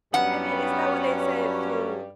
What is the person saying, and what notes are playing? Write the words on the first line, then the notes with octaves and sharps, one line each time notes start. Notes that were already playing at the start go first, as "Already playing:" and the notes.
I mean, isn't that what they say through
G2 F#3 G3 B3 C#4 F#5